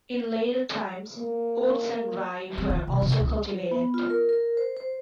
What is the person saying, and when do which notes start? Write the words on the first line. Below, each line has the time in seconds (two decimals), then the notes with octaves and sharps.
In later times oats and rye were also cultivated.
1.18 A#3
2.58 C4
2.70 F4
2.87 C3
3.02 C3
3.20 C#2
3.71 B3
3.94 F4
4.10 A#4
4.29 A#4
4.57 C5
4.77 C5